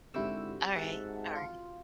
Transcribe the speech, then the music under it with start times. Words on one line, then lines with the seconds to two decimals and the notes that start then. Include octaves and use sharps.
Alright. Alright.
0.14 G#2 D3 C4 E4 F#4 G4 E6
0.75 G#2 E5 F#5 A5
1.35 F4